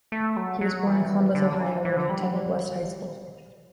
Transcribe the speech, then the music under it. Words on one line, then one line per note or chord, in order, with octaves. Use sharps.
He was born in Columbus, Ohio, where he attended West High School.
A3
F#3
F#3
E3
D3
E3
E3
D3
G3
F#3
G3
F#3
G3